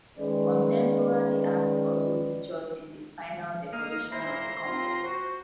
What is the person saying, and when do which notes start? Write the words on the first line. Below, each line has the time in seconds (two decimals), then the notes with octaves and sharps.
Contemporary art also features in the final decoration of the complex.
0.18 D#3 G#3 C#4 B4 D5
3.73 A#3 D#5 F5
4.12 G1 A#2 E4 C5 A#5 C6
4.66 D#2 C4 F4
5.04 F#4 C5